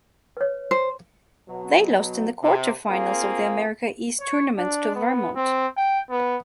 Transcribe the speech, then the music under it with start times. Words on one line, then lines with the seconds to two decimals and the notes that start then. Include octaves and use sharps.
They lost in the quarterfinals of the America East Tournament to Vermont.
0.37 B4 C#5
0.71 C5 C6
1.48 B2 F#3
2.43 C3
2.90 A#3 C4 F4 G#4
4.20 C#5
4.58 D4
4.96 B3
5.36 C4
5.77 G5
6.10 B3